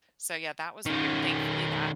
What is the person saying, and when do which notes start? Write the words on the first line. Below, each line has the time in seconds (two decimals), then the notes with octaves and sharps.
So, yeah, that was weird. Thankfully, that
0.86 D#3 C#4